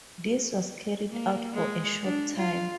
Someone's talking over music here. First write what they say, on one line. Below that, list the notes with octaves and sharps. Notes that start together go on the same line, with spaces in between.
This was carried out for a short time.
A#3
G#3
D4
F4